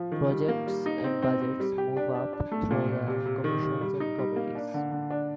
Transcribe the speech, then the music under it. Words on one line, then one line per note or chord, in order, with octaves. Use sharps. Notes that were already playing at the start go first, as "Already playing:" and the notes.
Projects and budgets move up through the commissions and committees.
Already playing: F3
D#3
G3
A#3
G3
D#4
C4
C4
C4
G3
G4
D4
D4
D4
A3
A#2
A#2
C3
C3
D#3
C3
G3
D#4
G3
A#3
D4
D3
D3
D4